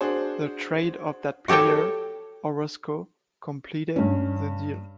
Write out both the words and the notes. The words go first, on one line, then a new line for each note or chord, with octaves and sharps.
The trade of that player, Orosco, completed the deal.
D4 F#4 G#4 C5
F#4 G4 A4 C#5 G5
G2 C#4